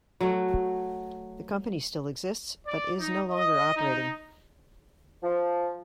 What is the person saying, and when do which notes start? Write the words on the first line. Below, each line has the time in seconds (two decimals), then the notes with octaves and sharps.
The company still exists, but is no longer operating.
0.21 F#3 A3
2.67 D5
2.99 D#4
3.31 D#5
3.76 D#4
5.22 F3